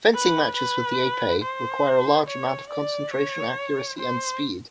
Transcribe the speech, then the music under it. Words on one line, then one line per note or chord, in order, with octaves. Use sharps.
Fencing matches with the épée require a large amount of concentration, accuracy and speed.
B4
B4
C5
C#5
D5
C#5
C5